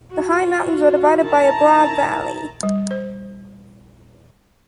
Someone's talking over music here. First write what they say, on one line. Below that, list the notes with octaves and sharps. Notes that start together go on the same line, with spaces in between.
The high mountains are divided by a broad valley.
F4 F#4
D#3 E4 A5 A#5
G3
C5